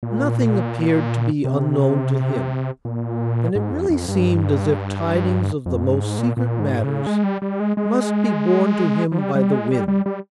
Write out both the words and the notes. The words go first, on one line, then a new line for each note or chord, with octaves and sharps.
Nothing appeared to be unknown to him, and it really seemed as if tidings of the most secret matters must be borne to him by the winds.
A#2
C3
A#2
G#2
F2
F2
G2
F2
G2
G#2
A#2
A#2
G#2
C#3
G#3
G3
G3
G#3
G#3
F3
G3
G3
G#3
G3
G3
G3